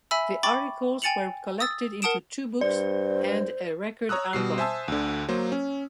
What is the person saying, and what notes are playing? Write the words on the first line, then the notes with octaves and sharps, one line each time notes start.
The articles were collected into two books and a record album.
E5 G#5 B5 E6
G5 B5 C#6 D6 A6
G5 G#5 A6 C#7 F7 F#7
D#6 E6 A6
A#4 F#5 A5 D#6 D7 E7
G2 C5 D5
C#5 A#5 D#6 E6 F#6
B2 G3 C7
C5 E5 G#5 A5 E6
D2 D3
F#3 A#3 C5
C#4